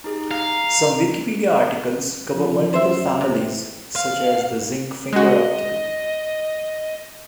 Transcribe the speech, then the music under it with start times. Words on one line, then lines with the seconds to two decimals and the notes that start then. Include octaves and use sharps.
Some Wikipedia articles cover multiple families, such as the Zinc finger article.
0.04 D#4 G4 G#4
0.31 F5 A#5
2.35 F3
2.74 F#2 C5 E5
3.21 E1 C3
3.96 F5
5.13 G#3 F#4 D#5